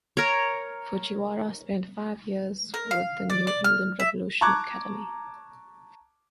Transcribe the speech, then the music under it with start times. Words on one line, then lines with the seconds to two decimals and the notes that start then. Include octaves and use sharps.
Fujiwara spent five years with the New England Revolution academy.
0.17 A#4 C#5
2.74 A#4
2.91 F5
3.30 D5
3.47 D5
3.64 F6
4.00 E5
4.41 A5 A#5 C#6 D6 F#6 G#6